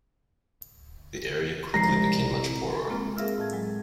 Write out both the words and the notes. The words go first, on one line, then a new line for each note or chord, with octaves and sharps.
The area quickly became much poorer.
C2 F3 G#3 A#5 A#6 C7
G#3 A#3 C4 F4
G#4 A#4 E5 F5 E6 F6
A2 D#5 A5 G#6
F#3 G#3